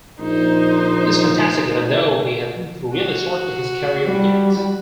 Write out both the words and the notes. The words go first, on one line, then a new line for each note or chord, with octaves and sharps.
He's fantastic even though he hasn't really started his career yet.
A#1 D#4 C5
F#4
G3